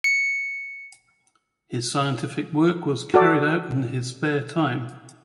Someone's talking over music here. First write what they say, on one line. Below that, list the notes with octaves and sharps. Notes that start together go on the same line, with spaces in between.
His scientific work was carried out in his spare time.
C#7
F#4 A4 D5